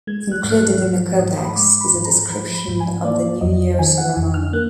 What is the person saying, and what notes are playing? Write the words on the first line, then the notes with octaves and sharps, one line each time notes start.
Included in the codex is a description of the New Year ceremony.
G#3 G#6
F#6
G#2
F6
F#6
F3 F6
G#2 D#6
B5
G#3 D6
B5
G#2
A#5
F3 B5
B5
G#2
G#5
A#3 D5
F2 D#5
D#3 G#5
F#5
F2 G#5
F6
A#3 F#6